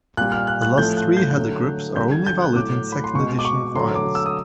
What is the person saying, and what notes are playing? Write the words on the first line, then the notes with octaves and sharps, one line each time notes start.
The last three header groups are only valid in second edition files.
A#2 G3 F#6
F6
F#6
F#6
A2 F3 A3 G6
F#6
G6
D3 F#3 A3
D3 G3 G6
G#6
G6
F#6
A2 F#3 A3 D6
B5
C6
B2 G#3 C#6
D6
C#6
D3 F#3 A3 C6
D6
E6
D#6